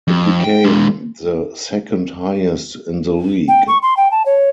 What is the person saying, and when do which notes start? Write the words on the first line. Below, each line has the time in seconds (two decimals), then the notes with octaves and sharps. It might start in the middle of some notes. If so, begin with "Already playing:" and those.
It became the second highest in the league.
0.08 F2
0.44 G5
0.64 G#3 D4
3.48 G5
3.68 C#6
3.82 C6
3.97 G5
4.11 A5
4.26 C#5